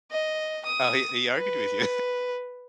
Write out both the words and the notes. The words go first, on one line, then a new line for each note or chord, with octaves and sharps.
Oh, he he argued with you.
D#5
D#6
B4